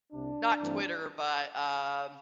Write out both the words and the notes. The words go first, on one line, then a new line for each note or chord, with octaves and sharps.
not Twitter, but, um,
C2 C3 G3 D4
G2 E3 A3 C4